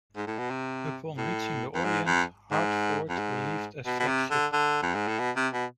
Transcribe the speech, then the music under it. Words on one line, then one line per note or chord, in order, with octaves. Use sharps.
Upon reaching the Orient, "Hartford" relieved as flagship.
G#2
A2
B2
C3
A2
F2
G#2
F2
G#2
F2
G#2
B2
B2
C3
D3
D3
F2
G#2
A2
B2
C3
B2